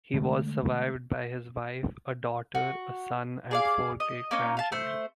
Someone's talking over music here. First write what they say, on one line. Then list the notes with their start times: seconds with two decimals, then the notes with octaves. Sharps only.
He was survived by his wife, a daughter, a son and four great-grandchildren.
0.14 D3 G#3 A3
2.55 F#4
3.51 G#4 D5 F5
4.00 D#5
4.31 A#3 C#4 D#4
4.57 F5 A5
4.72 A3 C5